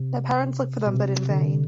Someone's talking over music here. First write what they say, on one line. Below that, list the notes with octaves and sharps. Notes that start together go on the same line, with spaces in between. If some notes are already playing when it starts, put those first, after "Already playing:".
Their parents look for them but in vain.
Already playing: C3
B2
C3
D3